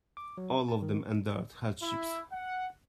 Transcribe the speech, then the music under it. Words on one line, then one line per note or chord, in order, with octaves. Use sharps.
All of them endured hardships.
D6
F#3
C4
A5
D#3
E4
F#5